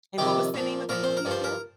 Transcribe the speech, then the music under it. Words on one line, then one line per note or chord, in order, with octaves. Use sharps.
And what was the name of that movie again?
F2 C3 D#3 G4
A#2 F3
A#2 F3 A#4
C5
A#4
G2 F3
C5
A#4